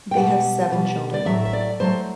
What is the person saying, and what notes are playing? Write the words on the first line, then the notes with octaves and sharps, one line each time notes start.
They have seven children.
G5
B2 G3 F#5
B2 G3
D5
A2 F#3 A3 E5
E5
D5
A2 F#3 A3 C5